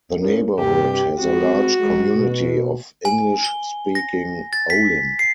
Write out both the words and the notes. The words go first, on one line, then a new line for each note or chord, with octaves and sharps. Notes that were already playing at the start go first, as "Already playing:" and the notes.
The neighborhood has a large community of English-speaking olim.
C#4 E4 A#4
G2 C3 G4
G#3 C4 F#4
G#3
B2
G#5
G7
A#6
A6
B6
C7